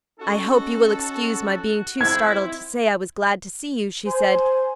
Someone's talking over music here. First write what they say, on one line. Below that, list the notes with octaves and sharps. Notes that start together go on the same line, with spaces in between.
"I hope you will excuse my being too startled to say I was glad to see you," she said.
C#4 D#4 F#4 A4
C4 D#4 E4 C5 G#6
C5 G#5